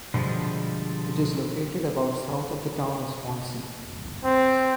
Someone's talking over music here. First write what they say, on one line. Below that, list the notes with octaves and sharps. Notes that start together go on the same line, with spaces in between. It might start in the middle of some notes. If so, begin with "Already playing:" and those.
It is located about south of the town of Swansea.
B2 D3 F3 G3 G#3
C4